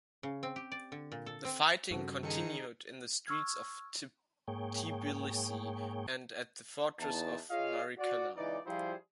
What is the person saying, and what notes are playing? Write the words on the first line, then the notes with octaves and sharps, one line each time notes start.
The fighting continued in the streets of Tbilisi and at the fortress of Narikala.
C#3
C4
G4
D5
D3
A#2
A4
C4
G2 C#3 C4 F#4 A4
D#3 D#4 G#4 A4 C#7
C#6 E6 F6 G#6
G#2 A#3 G#4 C#5 G5
E2 D#4 A5
F4 G#4 C#5 D#5 F5
F#4 D5
C#2 E3 D#4 D5
F3 G3 E4 F4 G#4 C5